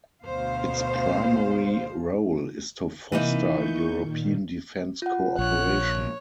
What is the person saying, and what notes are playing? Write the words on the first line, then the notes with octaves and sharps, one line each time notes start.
Its primary role is to foster European defence cooperation.
D2 B2 C5 F5
C3 E3 A#3 D#4
C#6 G6
A#2 D#3
F4 F#5
A#1 C#5 F#6